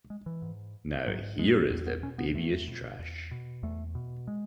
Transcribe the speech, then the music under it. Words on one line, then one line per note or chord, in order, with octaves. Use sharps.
Now here is the babyish trash.
G#3
E3
G#2
G#2 F#3
G#3
E2
B3
B2 C#4
B3
E2 A3
B2
E2
B2
E2 A3
B2
G#3